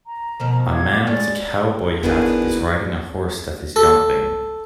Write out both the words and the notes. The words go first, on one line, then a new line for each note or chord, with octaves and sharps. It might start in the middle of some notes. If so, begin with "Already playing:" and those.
A man with a cowboy hat is riding a horse that is jumping.
A#5
B2 D#3 F3
F5 D6 G#6
G3 G#3 C#4 D5
G1 D#3 B3 D4 E4 G#4 B4
A4